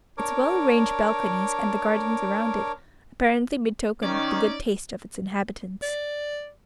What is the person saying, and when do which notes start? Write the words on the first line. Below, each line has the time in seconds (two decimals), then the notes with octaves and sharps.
Its well arranged balconies and the gardens around it apparently betokened the good taste of its inhabitants.
0.17 D4 A#4 C#5 D6
4.03 D#3 C#4 D#4 D5
5.83 D5